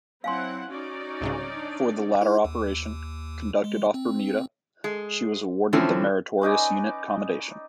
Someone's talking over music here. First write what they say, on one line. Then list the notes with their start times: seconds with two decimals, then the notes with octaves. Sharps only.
For the latter operation, conducted off Bermuda, she was awarded the Meritorious Unit Commendation.
0.24 F#3 C4 E4 F5 F#5 G#5 C6
0.70 C#4 D#4 F#4 D5
1.21 C2 G#2 C#3
1.53 D4
2.21 E4
2.45 D#2
3.64 G#3
3.94 C4
4.84 G#3
5.73 D3 E3 F3 C4 C#4
6.41 C#4 D#4 B4 D5